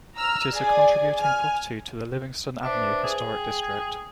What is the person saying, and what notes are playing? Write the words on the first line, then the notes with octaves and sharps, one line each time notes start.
It is a contributing property to the Livingston Avenue Historic District.
A#5 E6 F6
G#4 D5 G#5
G#5 F6
D4 B4 C5 E5
G#4
G5